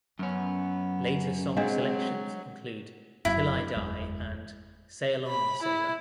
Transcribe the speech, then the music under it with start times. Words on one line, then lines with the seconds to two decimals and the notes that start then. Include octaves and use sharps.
Later song selections include "'Til I Die" and "Sail On, Sailor".
0.19 F#2 B3 C#4
1.57 F#3 G#3 C4 D4 D#5 F5
3.25 F1 F#2 F#3 E4
3.77 F#1 E2 G#3
5.28 B5
5.63 E4